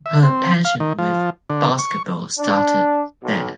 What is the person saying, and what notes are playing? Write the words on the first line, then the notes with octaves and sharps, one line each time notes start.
Her passion with basketball started there.
E5
C4
F5
D#3
F3
D3
C#6
D4
B1